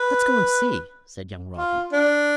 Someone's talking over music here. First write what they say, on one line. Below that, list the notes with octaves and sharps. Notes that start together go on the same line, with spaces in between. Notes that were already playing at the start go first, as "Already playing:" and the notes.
"Let's go and see," said young Robin.
Already playing: B4
F4
D4